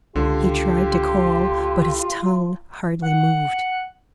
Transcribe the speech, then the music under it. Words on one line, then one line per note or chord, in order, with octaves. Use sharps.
He tried to call, but his tongue hardly moved.
C#2 D3 F4 G4
F#5